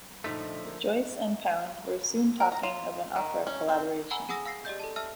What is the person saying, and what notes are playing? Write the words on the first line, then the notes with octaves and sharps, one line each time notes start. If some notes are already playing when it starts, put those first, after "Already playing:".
Joyce and Pound were soon talking of an opera collaboration.
A#1 D3 F3 A3 D#4 B6
A#3
A#4
A#5
F4
D#3
C#4
C4
F#5 G#5 A#5 B5 E6
G#4 F#5 G#5 D#6 E6 A#6
F5 E6 A#6 C7
G4 D5 D#5 G6
A4 A5
E5 A5 E6 F6